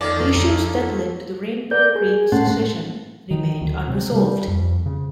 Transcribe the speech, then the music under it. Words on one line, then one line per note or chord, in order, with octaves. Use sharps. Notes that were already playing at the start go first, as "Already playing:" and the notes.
The issues that led to the Rainbow Creek secession remain unresolved.
F2 D#3 A#3 C#4 F4 A4 C#5 D5
A#4 D5 G6
G#4
A2 A3 C#4 F#5 A5 C6
D#3
D2
C3
G3
F2
C#3